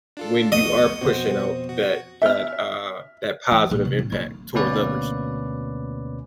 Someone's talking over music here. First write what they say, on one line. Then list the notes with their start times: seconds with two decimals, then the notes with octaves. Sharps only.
when you are pushing out that that, uh, that positive impact towards others.
0.17 D4 F4 A4
0.52 C2 F2 A3 B3 D#5 C#6
1.01 F2 B2 C4 F#4 C5
1.69 F#4
2.22 E5 F6
3.52 E3
3.71 A#1
3.85 C3
3.99 D1
4.12 A#3
4.54 D2 B2 A#3 C#4 B4 D5